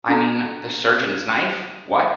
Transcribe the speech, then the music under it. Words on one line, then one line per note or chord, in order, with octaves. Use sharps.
I mean, the surgeon's knife, what?
D4 A4 A5 A#5